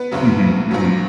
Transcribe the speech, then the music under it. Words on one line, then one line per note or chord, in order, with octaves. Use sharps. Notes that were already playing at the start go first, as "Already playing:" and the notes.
Mhm, mhm.
Already playing: B3 B4
D2 C#3 F#3
A#1 A#2 F#3